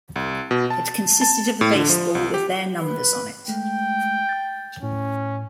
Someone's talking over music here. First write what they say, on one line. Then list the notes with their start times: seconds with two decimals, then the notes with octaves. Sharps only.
It consisted of a baseball with their numbers on it.
0.16 C2
0.51 B2
0.70 A5
1.21 A5
1.61 A2
1.75 D3
1.90 F3
2.15 C2
2.34 G4
2.79 B4
3.48 G#3 A3 G5
4.29 G6 A6
4.83 A2 C#4